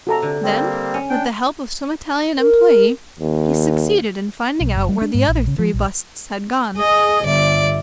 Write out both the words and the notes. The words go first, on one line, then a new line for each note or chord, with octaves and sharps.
Then, with the help of some Italian employee, he succeeded in finding out where the other three busts had gone.
C3 F#4 A4 A#5
D3
G3 A#3 C4
C#4
D4 G5
A#4
D#2
B1
F#1
G3
D4
G#2
A#1
C#3
F3
A#1
G#4 D#5 D#6
G1 D5 E5